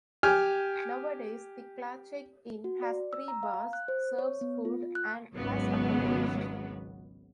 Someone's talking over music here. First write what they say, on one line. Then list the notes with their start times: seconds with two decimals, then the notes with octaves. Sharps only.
Nowadays the Clachaig Inn has three bars, serves food and has accommodation.
0.23 G4 G#5 F6
2.64 F#4
2.82 D5
3.13 E6
3.28 A#5
3.43 F5
3.73 F#6
3.88 C5
4.19 C#5
4.41 B3
4.65 F4
4.95 F#6
5.35 G#1 C#2 F#3 B3